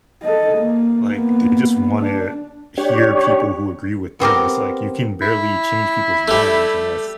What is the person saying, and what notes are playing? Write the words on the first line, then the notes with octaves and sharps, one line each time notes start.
like, they just wanna hear people who agree with them, it's like you can barely change people's minds unless
A4 D#5
A#3
A#3 B3
D4
D4 G4 C#5
B3 C4 G4 A#4
E4
G3 A3